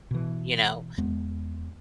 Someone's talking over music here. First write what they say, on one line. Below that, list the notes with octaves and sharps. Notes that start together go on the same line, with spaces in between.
you know?
B2 E3
E2 G#3 B3